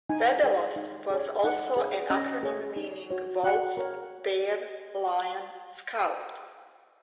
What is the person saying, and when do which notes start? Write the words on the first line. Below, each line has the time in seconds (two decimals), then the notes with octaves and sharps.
Webelos was also an acronym meaning Wolf, Bear, Lion, Scout.
0.09 D#4 G#5
0.44 G#4 C#5
0.76 D#4
1.10 G#4 C#5
1.44 D#4 F#5
1.77 G#4 C#5
2.10 C#4 D#5
2.43 G#4 C#5
2.76 D#4
3.11 F#4 C#5
3.43 F#4 F#5
3.77 A#4 C#5